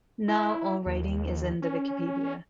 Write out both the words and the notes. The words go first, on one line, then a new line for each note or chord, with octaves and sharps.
Now, all writing is in the Wikipedia.
E4
D#2
C#4